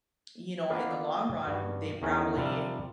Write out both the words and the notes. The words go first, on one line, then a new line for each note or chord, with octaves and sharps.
you know, in the long run, they probably
A#3 B3 D4 F4 D#5
G2 F#4
E2 D#3 C#4 A#4 A#5
C3 F3 G3 C4